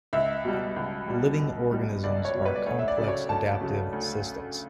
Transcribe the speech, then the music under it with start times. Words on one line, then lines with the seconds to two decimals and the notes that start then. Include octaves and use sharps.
Living organisms are complex adaptive systems.
0.13 C#2 E5
0.45 B2 G3
0.76 C#2
1.08 B2 G3
1.39 C#2
1.71 B2 G3
2.04 C#2 D5
2.25 C#5
2.34 B2 G3
2.46 B4
2.56 D5
2.66 D2 C#5
2.79 E5
2.88 D5
2.98 C#3 F#3
3.04 D5
3.08 C#5
3.29 D2 A5
3.61 C#3 F#3
3.93 D2